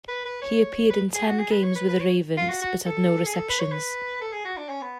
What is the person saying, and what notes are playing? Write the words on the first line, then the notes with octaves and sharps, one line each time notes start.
He appeared in ten games with the Ravens, but had no receptions.
B4
B4
C#5
B4
G#4
F#4
G#4
B4
C#5
B4
B4
C#5
F4
F#4
F#4
A4
G#4
A4
B4
C#5
B4
A4
G#4
F#4
D4
C#4
B3